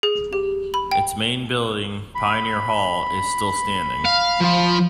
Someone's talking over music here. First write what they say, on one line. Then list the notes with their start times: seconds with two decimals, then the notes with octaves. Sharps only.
Its main building, Pioneer Hall, is still standing.
0.03 G#4
0.33 G4
0.74 B5
0.91 G5
2.15 B5
4.05 F5
4.41 F3 F4